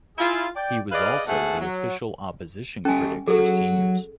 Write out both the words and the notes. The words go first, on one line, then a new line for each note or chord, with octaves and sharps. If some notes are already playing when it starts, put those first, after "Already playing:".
He was also the Official Opposition Critic for Seniors.
E4 F4 G#4
D5 G5
G#4 B4 D5 D#5 F5
G#2 B2 A3 G#4 F#5 A5
F#3
G3 C#4 A4 G#5
F#3 F#4 G#4 A4